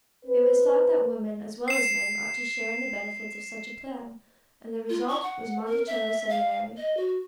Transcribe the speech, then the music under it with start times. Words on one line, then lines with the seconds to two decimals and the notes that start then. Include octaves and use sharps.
It was thought that women as well as men ought to share in the benefits of such a plan, and the result was Monticello Seminary.
0.25 C4 B4
1.68 C7 E7
4.90 F4
5.08 C#6
5.23 F#5
5.66 A#4
5.87 E5
6.29 F5
6.77 D#5
6.97 F#4